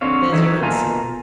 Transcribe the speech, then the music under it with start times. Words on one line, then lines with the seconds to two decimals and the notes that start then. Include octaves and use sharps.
There's your answer.'
0.01 D3 C4 C#5 F5
0.32 E3 F#3 D#4 A4 C#5 E5
0.62 B2 A#3 F4 A4 G#5 A#5